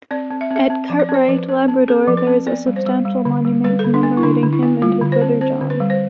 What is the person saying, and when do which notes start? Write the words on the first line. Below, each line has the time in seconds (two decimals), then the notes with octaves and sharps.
At Cartwright, Labrador, there is a substantial monument commemorating him and his brother John.
0.11 C4 D5
0.31 C4
0.41 E5
0.51 C4
0.56 E5
0.70 C4
0.90 F3
1.00 D5
1.09 C4
1.14 C5
1.29 F3 B4
1.49 C4
1.68 C4
1.88 C4 A4
2.07 F3
2.17 B4
2.27 C4
2.47 B3 D5
2.67 G3
2.76 C5
2.86 G3
3.05 G3
3.25 D3
3.45 G3
3.64 G3 B4
3.79 A4
3.84 D3
3.94 D4
4.03 B3
4.17 E4
4.23 D3 D4
4.43 D3
4.53 E4
4.63 B3
4.82 G3 F4
5.02 D3
5.12 C5
5.21 C4
5.41 C4 C5
5.61 D3
5.70 B4
5.80 G3
5.90 C5